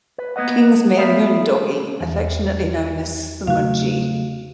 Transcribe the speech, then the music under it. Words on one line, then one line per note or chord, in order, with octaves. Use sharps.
Kingsmere Moondoggie, affectionately known as Smudgie.
B4
A#3 B3 B4 D#5 F#5
A3 B3 E5 F5
E2 E3
C#3 F#3 A3 F#4 F5